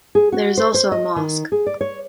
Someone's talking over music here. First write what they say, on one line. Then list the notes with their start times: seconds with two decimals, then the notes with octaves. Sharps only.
There is also a mosque.
0.15 G#4
0.32 F#4
0.57 C5
0.74 C5
0.92 D#5
1.16 D#3
1.52 G#4
1.67 D5
1.81 C#5